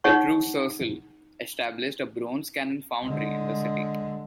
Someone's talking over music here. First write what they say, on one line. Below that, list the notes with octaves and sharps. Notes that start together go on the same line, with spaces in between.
Petru Cercel established a bronze cannon foundry in the city.
D#4 G#4 C#5 F#5 C#6
D3 G#3